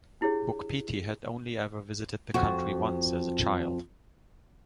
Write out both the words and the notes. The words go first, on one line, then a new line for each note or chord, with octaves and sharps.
Boukpeti had only ever visited the country once, as a child.
D4 E4 G4 G#4 C#5
F2 F#4